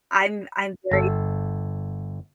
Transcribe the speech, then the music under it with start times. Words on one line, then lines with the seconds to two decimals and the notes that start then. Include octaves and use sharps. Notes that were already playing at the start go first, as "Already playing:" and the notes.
I'm I'm very
0.91 G1 A4